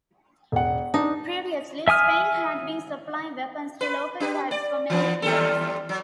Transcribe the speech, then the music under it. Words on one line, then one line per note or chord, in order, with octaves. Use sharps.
Previously, Spain had been supplying weapons to local tribes for many years.
E1 F#5
D4 D#4
E5 G#5 D#6 F6
B4
D4 G4 B4
D5
E3 F3 B3
D#2 G3 A4
F#3